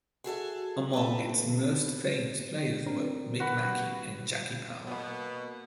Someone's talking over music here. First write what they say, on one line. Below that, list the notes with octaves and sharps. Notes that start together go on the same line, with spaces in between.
Among its most famous players were Mick Mackey and Jackie Power.
F#4 G#4 A4 E5
A4 B4
C4 D4 A#4
F#4 B4
B2 A#3 B3 F#5